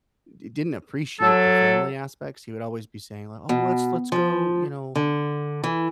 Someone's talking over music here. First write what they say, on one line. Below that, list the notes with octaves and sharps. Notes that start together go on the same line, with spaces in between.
d didn't appreciate the family aspects. He would always be saying li "Oh, let's let's go, you know,
F#3 A4
B2
F3
D3
E3